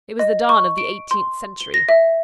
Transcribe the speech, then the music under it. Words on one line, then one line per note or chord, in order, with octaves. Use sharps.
It was the dawn of the eighteenth century.
D#5
C#6
D7
C6
G7
A#6
E5